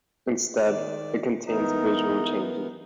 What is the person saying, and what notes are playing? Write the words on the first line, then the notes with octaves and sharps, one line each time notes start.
Instead, it contains visual changes.
D#3 D5
E3 B3 D#4 A#4